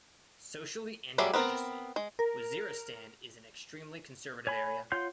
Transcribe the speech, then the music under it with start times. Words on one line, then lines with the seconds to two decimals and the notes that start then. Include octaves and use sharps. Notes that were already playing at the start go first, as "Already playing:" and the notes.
Socially and religiously, Waziristan is an extremely conservative area.
1.18 F#3 G3 G#4 D5 E5
1.34 B3 C4 A#4
1.96 G#3
2.19 A#4
4.47 C#5 G#5 B5
4.92 F4 C#5 F#5 C6 G6